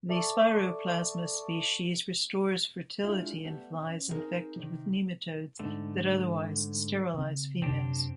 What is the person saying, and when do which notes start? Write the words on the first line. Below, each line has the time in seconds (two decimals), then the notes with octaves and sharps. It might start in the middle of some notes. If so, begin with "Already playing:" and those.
The Spiroplasma species restores fertility in flies infected with nematodes that otherwise sterilize females.
0.09 A4 D5 E5 A5 C#6 D6
3.03 G#3 A3 D4 E4 F4 G4
3.44 G3 A3 B3 G4
3.83 C#4
4.08 B3 C4 D#4 E4 G#4 A#4
4.56 C3 D#3
5.59 G#2 D3 A3
7.14 C#3 C4
7.62 F#2 C3 C4 D4 G4